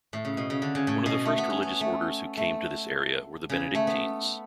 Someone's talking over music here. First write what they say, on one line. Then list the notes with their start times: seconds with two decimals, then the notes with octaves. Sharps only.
One of the first religious orders who came to this area were the Benedictines.
0.13 A2
0.25 C#3
0.37 B2
0.50 C#3
0.62 D3
0.75 C#3
0.87 A2
1.06 B2
1.25 A3
1.38 B3
1.50 C#4
1.63 B3
1.81 A3
2.37 A3
3.50 C#3
3.75 A3
3.87 B3